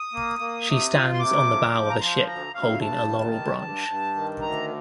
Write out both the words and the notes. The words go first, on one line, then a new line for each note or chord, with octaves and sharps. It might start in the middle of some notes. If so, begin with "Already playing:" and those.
She stands on the bow of a ship holding a laurel branch.
Already playing: D#6
A#3
A#3
C3
F4
C6
C3 D6
F3
F3
A#5
F3 C6
D2 A#5
D2 F5
G2 A5
D#3
G2
G2
G2
D#3
D2 A#5